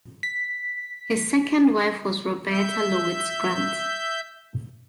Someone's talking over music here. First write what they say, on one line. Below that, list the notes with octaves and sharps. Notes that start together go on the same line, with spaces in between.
His second wife was Roberta Lowitz Grant.
B6
E5 G6